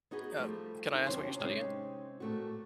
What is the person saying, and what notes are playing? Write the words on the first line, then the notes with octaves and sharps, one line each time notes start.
Uh, can I ask what you're studying?
B3 D#4 F#4 G#4 B4
F3 G3 A3
D4 D#4 G4 A#4
D#2 C3 F#3 C#4 C5 G#5
C3 G#3 C4 C#4 D#4
A#2 A3 F#4